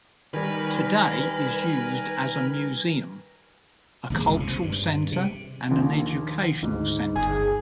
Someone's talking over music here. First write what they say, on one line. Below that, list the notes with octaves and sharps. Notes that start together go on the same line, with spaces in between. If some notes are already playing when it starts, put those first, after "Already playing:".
Today, it is used as a museum, a cultural center, and an educational center.
D#3 G3 A#4 B4 G#5
A#1 D#2 G#3
F#1 C#2
C3
G2
C3
A#1 D#2
D2 G#2
G1 G#4